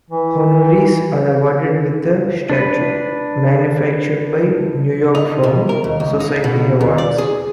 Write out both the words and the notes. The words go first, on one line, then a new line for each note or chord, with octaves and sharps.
Honorees are awarded with a statue, manufactured by New York firm, Society Awards.
E3
D4 B4
D#4
B2
A#4
D#2
C#2
D#4
B2
D#2
D5
G#4